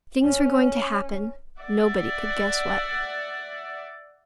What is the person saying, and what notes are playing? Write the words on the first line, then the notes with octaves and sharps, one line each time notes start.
Things were going to happen, nobody could guess what.
C#4
D5 E5 F#5